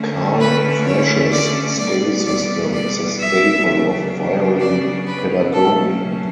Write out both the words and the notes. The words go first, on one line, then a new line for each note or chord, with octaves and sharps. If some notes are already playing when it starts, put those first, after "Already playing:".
Carl Flesch's "Scale System" is a staple of violin pedagogy.
Already playing: D3 A3 C#4
B4
C#5
D5
B2 G3 B3 D5
D5
D5
E5
C#3 F#3 B3 D4
D5
B4
B2 F#3 A3 C#4 A4